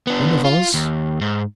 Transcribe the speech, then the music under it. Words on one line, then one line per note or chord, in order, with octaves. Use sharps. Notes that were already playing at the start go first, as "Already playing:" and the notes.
One of us?
B3 D4
F4
D#2
G#2